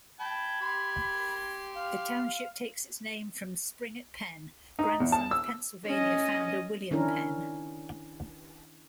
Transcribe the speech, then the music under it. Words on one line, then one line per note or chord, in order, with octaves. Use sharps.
The township takes its name from Springett Penn, grandson of Pennsylvania founder William Penn.
G5 A5 B5 G#6
G4 C6
F5
D#4
E2
A5
E6
C#4 D#5
D#3 C#4 D4 E4 A#4